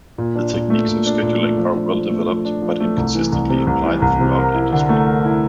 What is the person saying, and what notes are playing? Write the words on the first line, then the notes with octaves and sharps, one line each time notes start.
The techniques of scheduling are well developed but inconsistently applied throughout industry.
A#2
D4
A#2
A3
A#2
D4
A#2
A3
F3
D4
F3
A3
F3
D4
F3
A3
C2
E3
C2
C3
C2
E3
C2
C3
A#4
E4
D3
A3
A#4
E4